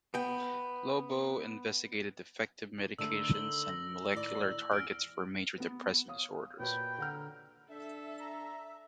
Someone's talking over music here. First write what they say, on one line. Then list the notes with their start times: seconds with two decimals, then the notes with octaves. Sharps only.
Lobo investigated effective medications and molecular targets for major depressive disorders.
0.14 B3 G5
2.99 D3 D#3 A3 E6
3.33 E6 F#7 G7
3.69 A#6
4.13 A2 D#3 D5 A#6
4.71 E2 F6 D7
5.58 B3 B4
6.08 C#5 F5 D#6
6.60 A#2 F#4 B4 C#5 G5
6.98 D3 F#5 A#5 F6
7.70 D4 A4 E5
8.20 A#5